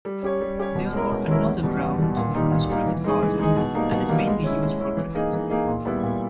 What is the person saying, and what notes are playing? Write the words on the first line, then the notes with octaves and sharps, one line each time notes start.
There are another ground known as Cricket Garden and is mainly used for cricket.
G3
C#4 G4 C#5
G3
C#4 G4 C#5
B2
G#3 C#4 E4 A#4
B2
G#3 C#4 E4 A#4
E2
B2 G3
E2
B2 G3
A#2
G3 A#3 D#4
A#2
G3 A#3 D#4
E3
G#3 D#4 G#4 D#5
E3
G#3 D#4 G#4 D#5
B2
G3 A#3 D#4
B2
G3 A#3 D#4
G#3
C#4 E4
G#3
C#4 E4
E3
A#3 D#4 G#4 D#5
E3
A#3 D#4 G#4 D#5
A#2
G3 B3 E4
A#2